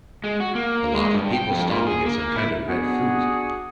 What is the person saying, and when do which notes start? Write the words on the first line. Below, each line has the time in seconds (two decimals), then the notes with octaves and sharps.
A lot of people stomping in some kind of red fruit.
0.24 G#3
0.40 F#4
0.55 A#3
0.94 G#3
1.14 G2
1.33 G5
1.51 F2
1.67 A#2
1.87 G#4
2.06 A#3
2.36 E4
2.67 B3 D4 F#4 G#4